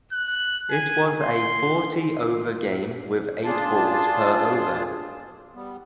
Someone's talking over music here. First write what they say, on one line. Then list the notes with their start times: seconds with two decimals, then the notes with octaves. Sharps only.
It was a forty over game with eight balls per over.
0.12 F#6
0.71 G#5
1.21 C6
3.44 D4 F4 G#4 A5 C6
5.55 G3 B3